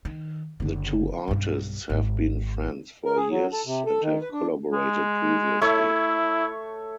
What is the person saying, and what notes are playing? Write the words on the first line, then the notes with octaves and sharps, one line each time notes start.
The two artists have been friends for years and have collaborated previously.
D#3
F#1 D3
B1 G2
G#1
A#4
G#4
F#3
A4
C3
A4
D#3
B4
D4
G#3
A3 E4 C#5